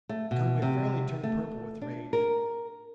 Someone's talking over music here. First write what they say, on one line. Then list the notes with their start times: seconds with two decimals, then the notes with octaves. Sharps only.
Conway fairly turned purple with rage.
0.09 A3
0.31 B2
0.62 C3
1.23 A3
1.82 D4
2.13 A#4